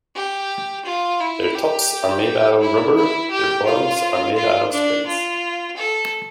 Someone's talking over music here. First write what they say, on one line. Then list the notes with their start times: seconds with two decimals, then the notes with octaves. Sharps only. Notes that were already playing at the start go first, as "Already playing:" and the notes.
Their tops are made out of rubber, their bottoms are made out of springs.
0.15 G4
0.86 F4
1.20 E4
1.55 G4
2.61 E4
2.96 E4
3.31 G4
3.66 F4
4.36 F4
4.72 D4
5.07 F4
5.77 A4